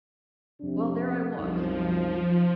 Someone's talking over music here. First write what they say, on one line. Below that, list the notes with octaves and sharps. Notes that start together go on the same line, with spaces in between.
Well, there I was.
F2 C3 D4
C2 F#2 F3 D#4